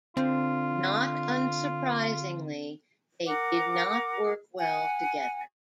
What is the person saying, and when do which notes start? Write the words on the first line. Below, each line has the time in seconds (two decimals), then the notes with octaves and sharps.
Not unsurprisingly, they did not work well together.
0.17 D3 C4 F4
3.26 A#4 F#5 D6
4.58 F#5 G#5